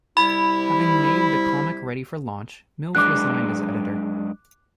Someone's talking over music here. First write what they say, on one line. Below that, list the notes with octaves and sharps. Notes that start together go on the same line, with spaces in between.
Having made the comic ready for launch, Mills resigned as editor.
C3 G3 E4 B5
F#2 G#3 D4 D6 F#6